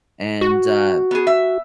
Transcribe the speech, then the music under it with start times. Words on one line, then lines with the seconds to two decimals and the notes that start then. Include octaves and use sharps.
and, uh
0.41 F#4
1.11 B3 G#4
1.27 E5